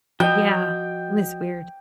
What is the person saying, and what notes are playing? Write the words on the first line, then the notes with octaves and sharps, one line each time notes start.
Yeah. It was weird.
F3 F#4 D#5 G5 G6